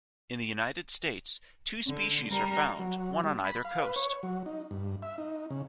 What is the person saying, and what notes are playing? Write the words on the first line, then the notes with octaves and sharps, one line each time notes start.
In the United States, two species are found, one on either coast.
D3
G3 A#4
F#3
G3
B5
F5
B4
C#5
F#3
D#4
G2
E5
D#4
C#3